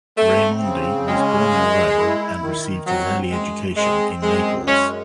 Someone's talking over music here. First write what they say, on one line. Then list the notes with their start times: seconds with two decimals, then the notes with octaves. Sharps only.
Raimondi was born in Rome, and received his early education in Naples.
0.18 A3 C4
0.63 C#3
1.08 G#3 C#4
1.52 F#2
1.97 E4
2.42 D#3
2.87 F#3 C4
3.32 F#2 G#3
3.77 G#3 C4
4.23 F#2 G#3
4.67 G#3 C#4